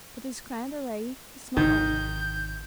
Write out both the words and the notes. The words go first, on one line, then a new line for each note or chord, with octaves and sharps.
But this grand array is not all.
G#1 C3 D#3 G6